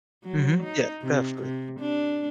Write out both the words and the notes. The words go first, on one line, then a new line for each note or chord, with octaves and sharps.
Mhm, yeah, definitely.
F#3
D#4
C3
C3
D4